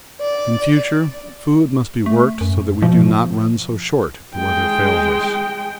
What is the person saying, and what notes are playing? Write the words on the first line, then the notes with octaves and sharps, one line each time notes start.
In future food must be worked so that we do not run so short if the weather fails us.
D5
A3
F#2
B2 F3
G#3 G5